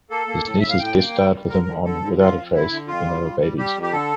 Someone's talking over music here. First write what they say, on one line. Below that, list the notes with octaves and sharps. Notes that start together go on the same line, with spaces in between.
His nieces guest starred with him on 'Without a Trace' when they were babies.
A#3 A4
A#3
A2
A2 E5
F5
A2 G5
A#3
G3
G3
D3 A#4
D3
D3 A4
D3
D3 F4
F2
D3 E4
D3
F2 F4
G3
G3
G3
G3 G4
F2
G4
D3 A4